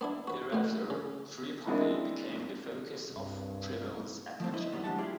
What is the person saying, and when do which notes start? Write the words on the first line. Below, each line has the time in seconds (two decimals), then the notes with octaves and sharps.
Thereafter, Tripoli became the focus of Preble's attention.
0.01 B3 D4 E4
0.27 F#4 B4
0.52 A2 B3
0.90 C#3
1.67 E3 G#3 A#3 C4 D4 E4
3.10 C2 G2
4.40 F3 A3 C4
4.53 E4 C5 D#5
4.72 F#2 A#2 D#3 F#3 G3 B3
4.84 D3 G#3 A3 G4 F#5 A5
4.98 E4 F4 G4 G#4 D5